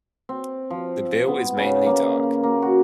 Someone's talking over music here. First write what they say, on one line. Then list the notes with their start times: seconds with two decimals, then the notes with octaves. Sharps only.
The bill is mainly dark.
0.29 C4
0.70 F3
1.28 B3
1.57 C#3
1.86 A#3
2.43 A#3
2.62 F#4